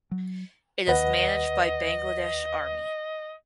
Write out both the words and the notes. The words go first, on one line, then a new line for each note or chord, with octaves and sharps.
It is managed by Bangladesh Army.
F#3
D#2 B4 D#5 F#5